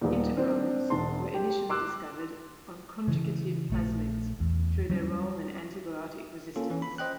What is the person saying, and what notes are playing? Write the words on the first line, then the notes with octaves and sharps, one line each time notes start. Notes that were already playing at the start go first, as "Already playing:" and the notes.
Integrons were initially discovered on conjugative plasmids through their role in antibiotic resistance.
D#1 A#2
C4 D4
E1 A5 C6
G4
C6 D6 E6 F#6
C#3 E3
A#1 A3
E2
F#3 G3 C4 C#4
A#3 C#4 F4 A4
E3 C#4
B5
C5 D#5 G5 F#6